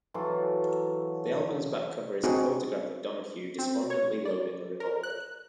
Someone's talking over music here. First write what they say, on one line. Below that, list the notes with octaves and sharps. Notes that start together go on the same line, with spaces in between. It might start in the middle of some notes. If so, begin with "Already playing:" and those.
The album's back cover is a photograph of Donahue despondently loading a revolver.
E3 F#3 F4 A4
C4 D4 D#4 F#4 G#4
C4
C#5
D5
A#4
F#6